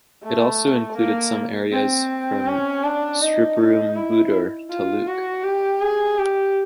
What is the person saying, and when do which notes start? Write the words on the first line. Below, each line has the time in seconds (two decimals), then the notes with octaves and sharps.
It also included some areas from Sriperumbudur Taluk.
0.24 A3
0.97 A#3
1.72 C4
2.47 C#4
2.84 D4
3.21 D#4
3.59 D#4
3.96 E4
4.71 F4
5.07 F#4
5.44 G4
5.81 G#4
6.19 G4